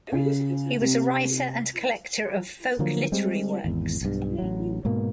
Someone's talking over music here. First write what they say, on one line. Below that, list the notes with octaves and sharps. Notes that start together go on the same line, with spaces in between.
He was a writer and collector of folk literary works.
C#3
C3
D3 F3 F#3 A#3
G3 G#3 C4
G#1 E2
B1 G2
A1 F#3
G#2 B2 A#3